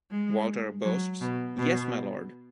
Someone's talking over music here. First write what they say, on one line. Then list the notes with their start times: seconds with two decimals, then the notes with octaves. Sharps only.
Walter boasts: Yes, my lord!
0.11 G#3
0.84 F#3
1.21 B2
1.57 B2